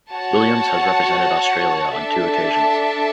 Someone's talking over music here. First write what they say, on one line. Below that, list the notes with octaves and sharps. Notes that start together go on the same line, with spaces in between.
Williams has represented Australia on two occasions.
F#4 C#5 F#5 A5
D4 A4 E5 A5